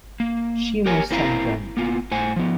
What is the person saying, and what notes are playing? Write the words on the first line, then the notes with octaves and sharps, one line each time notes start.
She must have done.
A#3
G4 A#4 C#5 G#5
A#3 C4 E4 F5 G#5 A#5
A#3 B3 F4
A2 C5 F#5 G#5
F3 B3